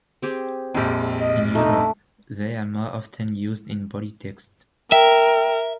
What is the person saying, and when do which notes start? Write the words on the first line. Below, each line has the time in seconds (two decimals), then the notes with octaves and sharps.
In Europe, they are more often used in body text.
0.22 C4 G4 G#4
0.75 A#1 F2 G#3 G4
1.21 D#5
1.55 A3 D4 D#4
4.92 A#4 E5 G5